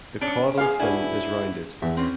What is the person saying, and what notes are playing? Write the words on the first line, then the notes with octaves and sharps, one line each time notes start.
The caudal fin is rounded.
C#4 D4 C#7 D7
B3 G#4 F5
D4 E4 F#4 B4 G#5
E2 E5
C4 C#4 B4